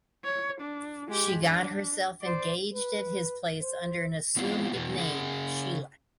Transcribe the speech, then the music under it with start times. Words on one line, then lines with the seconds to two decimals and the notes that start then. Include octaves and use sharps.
She got herself engaged at his place under an assumed name Sheela.
0.24 C#5
0.61 D4
1.08 G#3 G4
1.44 D4
2.21 C5 D5
2.74 B4
3.61 C5
4.36 E3 B3 C4 F4
4.73 E2 B2 B3
4.97 C#3 G#4 F#5